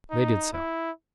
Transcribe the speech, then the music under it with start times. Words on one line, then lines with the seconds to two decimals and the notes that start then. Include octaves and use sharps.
They did so.
0.11 D#4
0.53 E4